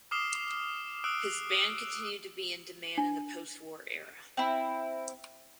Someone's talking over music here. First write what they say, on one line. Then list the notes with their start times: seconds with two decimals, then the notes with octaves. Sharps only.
His band continued to be in demand in the postwar era.
0.11 D6 D#6 F6 C7 E7 G7
1.04 D#6 E6 F#6 D7
2.98 D4
4.37 C4 E4